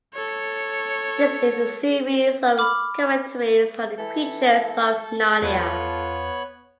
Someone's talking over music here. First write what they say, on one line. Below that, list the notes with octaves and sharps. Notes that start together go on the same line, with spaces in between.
This is a series of commentaries on the creatures of Narnia.
A4 C#5
B5 D6 F6
E3 A4
E2 B3 F4 C#5 F#6